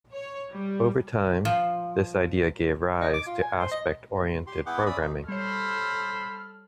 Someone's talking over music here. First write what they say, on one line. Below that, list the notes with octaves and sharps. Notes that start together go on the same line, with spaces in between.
Over time, this idea gave rise to aspect-oriented programming.
C#5
G3
F3
D#4
D6
F4
G#5
C5
D#5
G4 C6
B3 E4 G#4 F#5 G5 D6
C#4 D5 E5 B5 D#6
D#4
G3 A4 C5 C#5 B5 F6